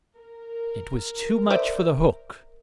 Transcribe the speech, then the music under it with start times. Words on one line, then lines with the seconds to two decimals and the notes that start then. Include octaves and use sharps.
It was too much for the hook.
0.17 A#4
1.50 C5 D5 E5